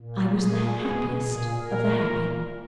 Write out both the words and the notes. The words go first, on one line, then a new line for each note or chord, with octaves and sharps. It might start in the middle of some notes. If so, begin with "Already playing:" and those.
I was the happiest of the happy.
Already playing: A#2
A#2 G#4
B2 G#4
A#2 G#4
A#2 A#4
A#2